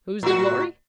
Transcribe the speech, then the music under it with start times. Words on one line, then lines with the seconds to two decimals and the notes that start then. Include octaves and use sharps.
Whose the glory?
0.23 A2 F#4